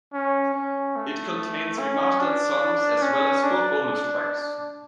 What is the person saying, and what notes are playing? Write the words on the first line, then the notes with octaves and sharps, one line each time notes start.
It contains remastered songs, as well as four bonus tracks.
C#4
C#4
A3
C#4
D4
C#4
D4